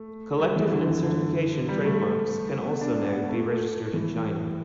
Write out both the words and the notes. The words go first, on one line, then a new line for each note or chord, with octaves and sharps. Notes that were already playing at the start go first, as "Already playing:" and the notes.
Collective and certification trademarks can also now be registered in China.
Already playing: A3
G3
E3
D3
E3
D3
G3
A3
B3
D4
D4
B3
A3
E3